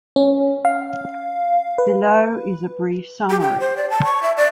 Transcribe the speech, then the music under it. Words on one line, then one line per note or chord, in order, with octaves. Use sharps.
Below is a brief summary.
C#4
F5
B4
G4
G5
C5
D5
A5
C#6
E5
D5